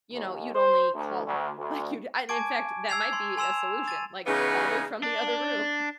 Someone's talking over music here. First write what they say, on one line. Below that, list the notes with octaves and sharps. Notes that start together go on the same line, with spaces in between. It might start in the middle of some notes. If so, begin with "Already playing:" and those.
you know, you'd only call her. Like, you'd and in fact, that might be a solution, like, call her from the other room,
D#2
C5
D2
D2
D2
G#5 A5 C#6 D6 G#6 D7
E6 G#6 C7 F7
C6
G#5 C6 E6 E7 F7
A6 D#7
C#3 E3 B3 C#4 D#4 G#4
D4